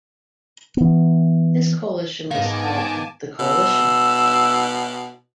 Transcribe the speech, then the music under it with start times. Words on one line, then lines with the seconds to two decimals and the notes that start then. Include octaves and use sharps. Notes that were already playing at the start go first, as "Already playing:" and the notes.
This coalition was called the Coalition.
0.77 E3 B3
2.31 G#2 D#3 B3 D#4 F5 G#5 A5 D6
3.39 B2 E6